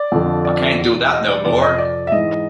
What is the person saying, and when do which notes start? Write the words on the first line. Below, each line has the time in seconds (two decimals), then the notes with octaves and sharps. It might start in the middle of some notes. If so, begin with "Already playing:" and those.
I can't do that no more.
Already playing: D5
0.12 F2 D3 F3
0.45 D5
0.78 E2 B2
1.12 D#5
1.28 D5
1.45 F2 C3 F3 D5
1.62 D#5
1.78 D5
2.07 E5
2.12 G#2 E3 D#5